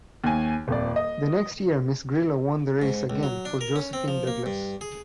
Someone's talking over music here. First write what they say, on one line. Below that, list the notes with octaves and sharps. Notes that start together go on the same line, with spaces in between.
The next year Miss Grillo won the race again for Josephine Douglas.
D#2 G#5
D#1 F2 D5
D#5
G#2
C#2
F#3
D4
A#4
C#4
C4
F3
A#3
G2
G#4